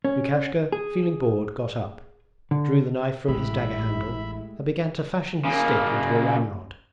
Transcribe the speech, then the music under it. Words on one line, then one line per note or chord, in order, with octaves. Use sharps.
Lukashka feeling bored got up, drew the knife from his dagger-handle and began to fashion his stick into a ramrod.
C#4
G#4
D3
A1 G#3 A3 E4 G4 E5 B5
C#3 A#3